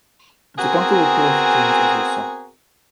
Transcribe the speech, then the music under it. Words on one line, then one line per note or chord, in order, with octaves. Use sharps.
It's a comfortable pair of jeans as a song.
B3 C4 F#4 G#4 A#4 G#5